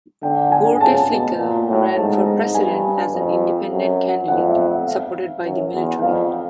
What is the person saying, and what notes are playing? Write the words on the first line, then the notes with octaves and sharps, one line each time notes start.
Bouteflika ran for president as an independent candidate, supported by the military.
D3 G5
G#5
C#3 A5
B2
A#2
A2
G#2 A5
A#5
G2 G#5
F2
F#2
F2 F#5
E5
E5
F5
F#2
E2
F2 F5